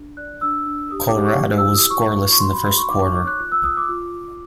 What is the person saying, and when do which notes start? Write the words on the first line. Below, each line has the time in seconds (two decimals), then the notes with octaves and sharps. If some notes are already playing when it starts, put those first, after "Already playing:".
Colorado was scoreless in the first quarter.
Already playing: D4
0.17 D5 F#6
0.41 D4 E6
0.66 D4
0.91 G4 D#6
1.09 D6
1.16 G4
1.25 C#6
1.42 E4
1.58 E6
1.66 E4
1.74 D#6
1.90 F#4 C#6
2.16 F#4
2.32 C#6
2.40 F#4 C6
2.53 B5
2.64 F#4 C6
2.78 C#6
2.89 D#4 D6
3.02 C#6
3.15 C#5 D6
3.27 F#6
3.39 F4 F#6
3.52 E6
3.64 F4 D#6
3.77 D6
3.89 F4
4.14 F4